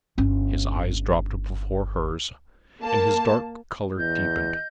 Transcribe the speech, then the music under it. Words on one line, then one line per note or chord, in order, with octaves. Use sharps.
His eyes dropped before hers, and his dark color deepened.
G1 C#4
A#3 A5
E2 D#5 G6